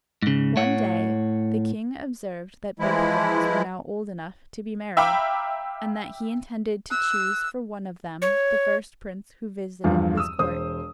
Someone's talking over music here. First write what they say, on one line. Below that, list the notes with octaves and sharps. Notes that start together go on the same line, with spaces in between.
One day the king observed that both girls were now old enough to be married, and that he intended to choose for one of them the first prince who visited his court.
G#2 C#3
A2 C#5 F#5
E3 F3 G#3 E4
E5 F5 G5 A#5 B5 D6
E6 F#6
C#5
E2 G2 F3
D#6 E6
E1 C5 D#6